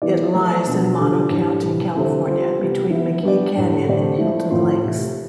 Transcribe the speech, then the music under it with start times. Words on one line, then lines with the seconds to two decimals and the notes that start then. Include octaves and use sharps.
It lies in Mono County, California, between McGee Canyon and Hilton Lakes.
0.02 E3 B3 E4 G4 D5
0.34 F3 A3 E4
0.67 B2 B3 D4 F4
0.98 D3 G3 D4 F4 A4
1.30 A2 E3 G3 D4 G4
1.62 C3 E3 G3
1.95 D3 G3 C4 E4 A4
2.27 G3 C4 F4 C5
2.59 C3 G3 B3
2.90 F3 B3 E4
3.23 B3 D4 G4 D5
3.55 A2 G3 D4
3.86 D3 A3 C4 G4 D5
4.18 F3 A3 E4
4.51 A2 E3 A3 C4 F4
4.83 C3 E3 A3 E4